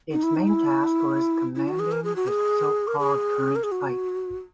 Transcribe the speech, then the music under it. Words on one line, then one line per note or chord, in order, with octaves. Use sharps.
Its main task was commanding the so-called "current fight".
D#4
E4
D#4
E4
E4
F#4
G#4
A#4
G#4
F#4
G#4
A#4
G#4
A#4
G#4
F#4